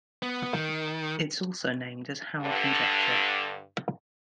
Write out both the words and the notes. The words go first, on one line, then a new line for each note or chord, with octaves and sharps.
It's also named as Howe conjecture.
B3
D#3
G2 D3